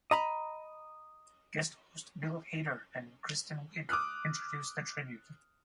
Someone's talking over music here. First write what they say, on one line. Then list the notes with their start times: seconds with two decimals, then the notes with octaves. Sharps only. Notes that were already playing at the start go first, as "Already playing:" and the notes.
Guest host Bill Hader and Kristen Wiig introduced the tribute.
0.11 D#5 A#5 B5
3.89 D6 D#6 F6 F#6